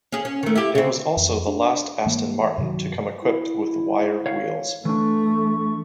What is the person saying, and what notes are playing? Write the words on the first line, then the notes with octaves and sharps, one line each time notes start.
It was also the last Aston Martin to come equipped with wire wheels.
C#4 G#4
C#4
D#3 A3
E4 G4
C#3 C4
F2
D4
G#2 E3 A#3
G2 C3 D#3 F#3
E4
C#5 F5
E3 A3 D4 C#6